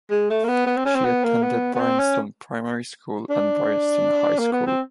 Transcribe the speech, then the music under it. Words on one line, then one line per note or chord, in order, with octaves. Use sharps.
She attended Bryanston Primary School and Bryanston High School.
G#3
A3
A#3
B3
B3
C4
C#4
C4
B3
A#3
B3
B3
C4
C#4
D4
A#3
B3
C4